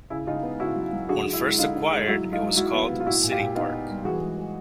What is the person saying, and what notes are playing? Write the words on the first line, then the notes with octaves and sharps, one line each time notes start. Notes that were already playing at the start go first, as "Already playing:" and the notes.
When first acquired, it was called "City Park".
C#3 E4
C#3 D#4 F4
B3
C#3 E4 F#4
F#3
F#3
D3 F#4 G#4
D3
E4
G#3
D3 D#4 F4
D3
G#3
F#3 E4 F#4
F#3
D#4 F4
F#3
F#3 E4 F#4
B3
C3
F4
A#2 E4 F#4
A#2
F4 G4
A#2
B3 D#4 F4
B3
G3
E3 F#4 G#4
G#3
G#3